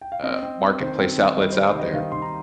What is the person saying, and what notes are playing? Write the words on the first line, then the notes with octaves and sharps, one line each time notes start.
uh, marketplace outlets out there
G5
F5
C4 D#5
C4
C4
D#3 C5
C4
D#3
G3 D#5
C5
G3
C5
D#3 D#5
D#3 F5
D#3 C6
A#5